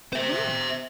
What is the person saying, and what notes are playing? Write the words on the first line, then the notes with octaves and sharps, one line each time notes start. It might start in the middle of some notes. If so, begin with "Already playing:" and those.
"But where?"
C5 E5